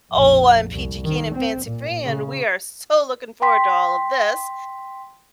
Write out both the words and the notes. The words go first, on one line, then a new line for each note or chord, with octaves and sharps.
Oh, I'm peachy keen and fancy-free we are so looking forward to all of this.
A#1 F2
C2
D#3
C4
A#2
C#3
G5 C6 B6